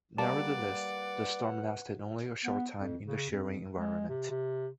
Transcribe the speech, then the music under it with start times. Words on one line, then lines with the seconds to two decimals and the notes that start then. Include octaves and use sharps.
Nevertheless, the storm lasted only a short time in the shearing environment.
0.18 G3 A#3 B4 D5 F#5 A5
2.45 B3
2.79 F2
3.06 C#3
3.30 F2
3.76 G#3
4.09 C3
4.30 C3